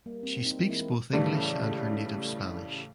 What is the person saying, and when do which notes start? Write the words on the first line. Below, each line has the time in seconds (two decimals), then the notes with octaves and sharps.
She speaks both english and her native spanish.
0.06 G3 A#3
0.23 C4
0.42 C4 D#4
0.69 E3 G#3 A#3 C4 E4
1.13 A2 C#3 E3 G3 A3